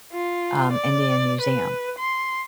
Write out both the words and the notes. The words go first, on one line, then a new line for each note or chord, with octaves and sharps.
um, Indian Museum.
F4
D5
B4
C6